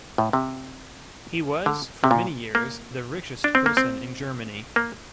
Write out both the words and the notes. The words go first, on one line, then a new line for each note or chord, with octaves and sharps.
He was for many years the richest person in Germany.
A2
C3
D3
C3
A#2
A#3
D4
C4
A#3
C4
A#3